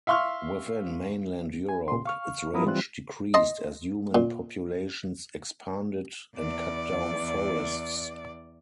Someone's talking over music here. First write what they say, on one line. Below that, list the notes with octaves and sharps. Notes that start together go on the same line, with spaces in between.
Within mainland Europe, its range decreased as human populations expanded and cut down forests.
E5 F5 C6 C#6 F6
G#5
A#2 C6
F5 C#6 F6
F3 B3 E4 A#4 B5 D#6
E3 G3 C4 F4 F#6
D#5 A5 C6
A#2
E2 D5